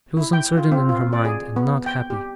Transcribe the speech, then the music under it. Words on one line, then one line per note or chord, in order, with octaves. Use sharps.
She was uncertain in her mind, and not happy.
E4
G5
F4
C4
F4
D5
G#4
B3
G5
G4